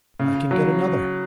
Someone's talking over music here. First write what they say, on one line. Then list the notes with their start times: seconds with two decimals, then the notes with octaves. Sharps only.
'I can get another.
0.19 C#3
0.51 F#3